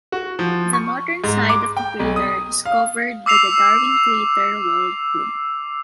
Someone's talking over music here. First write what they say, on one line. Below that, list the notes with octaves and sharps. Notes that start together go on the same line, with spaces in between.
The northern side of the crater is covered by the Darwin Crater walled plain.
F#4
F3
C#6
G#2
D6
G5
B1
D#6
F5
D6 E6 C7 F7